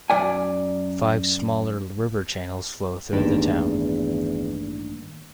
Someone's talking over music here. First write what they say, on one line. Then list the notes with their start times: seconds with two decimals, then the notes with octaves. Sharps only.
Five smaller river channels flow through the town.
0.10 F#2 D5 G#5
3.13 A1 E2 G2 D#3 A#3